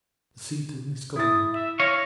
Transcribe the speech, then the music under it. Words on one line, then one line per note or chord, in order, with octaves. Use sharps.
The seat of misgovernment.
E4 D#6 A6
E5
C#5 F5 A#6